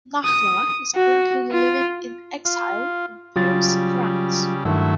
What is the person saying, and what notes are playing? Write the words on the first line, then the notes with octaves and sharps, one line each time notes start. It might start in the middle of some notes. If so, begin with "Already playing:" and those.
Nahla is currently living in exile in Paris, France.
D#6
F#4
F4
F4
C#3 F#3 G3 F4 A6
G2 D#3 F#3 A3 E4